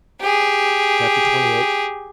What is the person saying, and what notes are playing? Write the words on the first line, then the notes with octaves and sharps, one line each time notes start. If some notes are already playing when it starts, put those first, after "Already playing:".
Chapter XXVIII.
G4 G#4